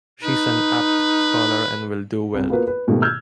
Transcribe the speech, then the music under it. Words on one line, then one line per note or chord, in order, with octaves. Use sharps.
She's an apt scholar and will do well.
D#4 B4
C2
A#3 B3 F4 F#4 A#4 B4
B4
G#2 B2 D#3 A3 A#3 G4
E6 F6 G6 G#6